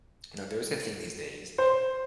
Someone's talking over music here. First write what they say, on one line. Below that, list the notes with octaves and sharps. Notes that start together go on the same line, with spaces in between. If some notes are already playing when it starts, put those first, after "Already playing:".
now there's a thing these days
C5